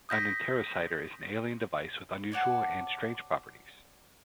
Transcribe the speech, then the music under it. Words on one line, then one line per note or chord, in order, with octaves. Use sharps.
An interocitor is an alien device with unusual and strange properties.
D#6 G6 A#6 B6
C#5 D5 F#5 A5